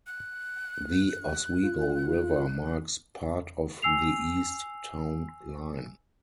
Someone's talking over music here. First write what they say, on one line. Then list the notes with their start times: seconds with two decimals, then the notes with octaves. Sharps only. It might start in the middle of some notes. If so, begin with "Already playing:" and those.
The Oswego River marks part of the east town line.
0.07 F#6
1.63 F4
3.82 G#5 E6 C7 F7